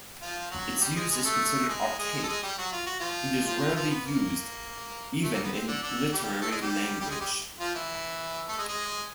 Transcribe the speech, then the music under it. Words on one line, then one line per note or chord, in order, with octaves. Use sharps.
Its use is considered archaic and is rarely used even in literary language.
F3 F4
F#3 F#4
G3 G4
G#3 G#4
G#3 G#4
A3 A4
G#3 G#4
G#3 G#4
A4
G#3 G#4
G3 G4
F#3 F#4
F4
F#4
F3 F4
F3 F4
F3 F4
B3
A#3
A3
A#3
B3
C4
D3 D4
D3 D4
G3 G4
A3 A4
G#3 G#4
G3 G4
G3 G4
G#3 G#4
G3 G4
F3 F4
E3 E4
A3 A4
G#3 G#4
G#3 G#4